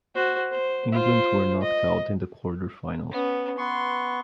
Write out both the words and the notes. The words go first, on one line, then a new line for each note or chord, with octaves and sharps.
England were knocked out in the quarter-finals.
F#4 C5
C5
F4 C5
D#5
B3 C#4
B3 C6 C#6